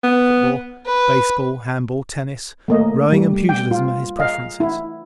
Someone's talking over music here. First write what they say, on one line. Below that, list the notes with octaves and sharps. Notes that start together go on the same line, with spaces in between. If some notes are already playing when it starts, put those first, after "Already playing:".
Football, baseball, handball, tennis, rowing and pugilism are his preferences.
B3
B4
A3 A#3 D#5
G3
G5
F4
D#5 F5
E4